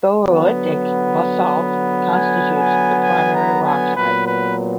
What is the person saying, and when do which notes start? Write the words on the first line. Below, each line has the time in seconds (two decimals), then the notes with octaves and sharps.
Tholeiitic basalt constitutes the primary rock type.
0.23 D3 F#3 B3
2.09 G#5
2.56 G#5
3.02 G#5
3.33 A#5
3.64 G#5
3.94 A#2 F#3 B3 B4
4.26 B4